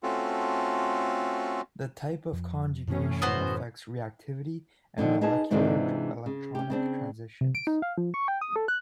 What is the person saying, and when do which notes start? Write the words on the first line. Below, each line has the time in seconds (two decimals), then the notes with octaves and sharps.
The type of conjugation affects reactivity and molecular electronic transitions.
0.03 A3 C4 C#4 F4 F#4 A4
2.33 F2
2.87 F#2 A2 C3 E3 C#4
3.22 B3 F#4 C5
4.98 A2 D3 D#3 F3
5.21 D#4 G#4 B4 G#5 A5
5.51 G#2 C3 E3 D4 F4 G#4
6.26 C#3
6.55 C#4 G4
6.70 C#3 C4 D4
7.41 C3
7.55 D7
7.67 D#4
7.82 F5
7.97 F3
8.14 C#6
8.28 G5
8.41 D#6
8.56 A4
8.68 F#6